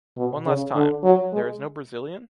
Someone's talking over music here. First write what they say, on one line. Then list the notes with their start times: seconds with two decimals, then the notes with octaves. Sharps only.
One last time... There is no Brazilian?...
0.17 B2
0.46 C#3
0.75 D3
1.04 F#3
1.33 G#3